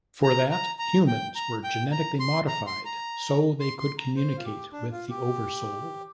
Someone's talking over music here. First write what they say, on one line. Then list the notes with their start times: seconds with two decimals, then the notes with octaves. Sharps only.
For that, humans were genetically modified so they could communicate with the Oversoul.
0.23 A#5
0.51 A#5
0.79 A#5
1.07 G5
1.36 A#5
1.64 G5
1.92 A#5
2.20 C6
2.48 A#5
2.67 C6
2.85 A#5
3.60 C6
3.79 C6
3.98 A#5
4.16 C5
4.37 F4
4.45 G4
4.73 D4
4.92 F4
5.10 G4